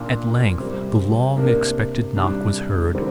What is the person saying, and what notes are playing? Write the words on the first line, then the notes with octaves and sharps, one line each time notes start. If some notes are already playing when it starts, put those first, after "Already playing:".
At length the long-expected knock was heard.
Already playing: A#2 A#3 D4
C3 G3 C4
C3 A#3 D4
C3 G3 D4
D3 G3 C4